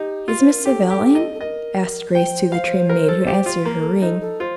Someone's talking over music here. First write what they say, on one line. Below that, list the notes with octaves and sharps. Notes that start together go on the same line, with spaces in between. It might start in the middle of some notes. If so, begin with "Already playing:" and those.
"Is Miss Savell in?" asked Grace to the trim maid who answered her ring.
Already playing: D#4 G4
F4
C5
A#4
G4 A4
G4
D#5
A4
A#4 D#5
C5 G5
F5
A#4
A4
G4
F4
A#3 A#4
A4
D#4 A4
A4
F4 C5